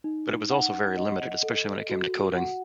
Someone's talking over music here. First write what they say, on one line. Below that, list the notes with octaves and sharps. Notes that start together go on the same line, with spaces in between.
But it was also very limited, especially when it came to coding.
D#4
F#5
D#5
A4
F#4
F#5